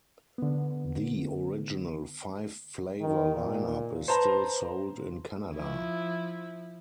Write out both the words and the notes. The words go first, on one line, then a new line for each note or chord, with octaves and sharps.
The original five-flavor lineup is still sold in Canada.
D3 B3
D#3
A#2
B4 C5 A5 A#5
F3 E4